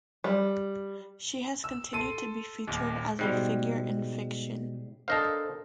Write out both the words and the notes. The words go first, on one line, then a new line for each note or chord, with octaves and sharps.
She has continued to be featured as a figure in fiction.
G3
E6
A4 C6 D#7
D#1 D#2
G#2 B2 G3 G#3
D4 A4 A#4 C5 D#5 F5